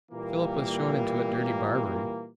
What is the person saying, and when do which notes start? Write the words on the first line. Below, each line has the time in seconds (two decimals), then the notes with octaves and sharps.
Philip was shown into a dirty bar-room.
0.11 A#2 E3 G3 A#3